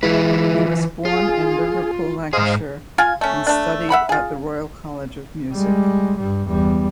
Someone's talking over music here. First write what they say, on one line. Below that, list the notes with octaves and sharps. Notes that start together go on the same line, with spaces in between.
He was born in Liverpool, Lancashire, and studied at the Royal College of Music.
E3 G#3 E4 F4 B4
F4 G#4
G#2 G#4 C5 D#5 F5
F4 F5 G#5
A3 C#4
A3 D4
E5 F#5 B5
F4 G#4
G3 G#3
G2 G3
E2 G3